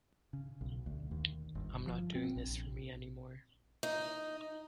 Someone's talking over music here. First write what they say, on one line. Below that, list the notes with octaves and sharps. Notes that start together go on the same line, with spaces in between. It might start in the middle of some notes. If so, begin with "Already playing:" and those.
I'm not doing this for me anymore.
C#3
B1
D2
D#2
G1
F3
C4
A#1
D#4